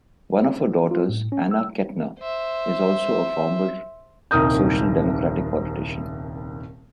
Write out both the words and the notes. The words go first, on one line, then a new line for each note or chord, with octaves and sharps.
One of her daughters, Anna Kettner, is also a former Social Democratic politician.
F4
A2
C#4
E6
C5 E5
D#1 C2 D#3 A#4 D#6 G6